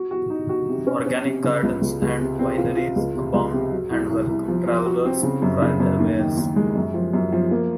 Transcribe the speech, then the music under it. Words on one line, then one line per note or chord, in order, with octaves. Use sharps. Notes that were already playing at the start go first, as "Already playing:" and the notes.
Organic gardens and vineries abound and welcome travelers to try their wares.
Already playing: F#4
F#4
D#4
F#4
C3
C#4
C#4
C3
C#3
C#2
C#2
C#2
C3
C4
F4
F4
C#2
C3
C#2
C3
F#3
C2
C2
C2
F3
F3
F#4
C4
C#3
F#2
C#3
F#2
D#2
D#3
D#2
G#3
F#2
F3
F#2
F3
A#3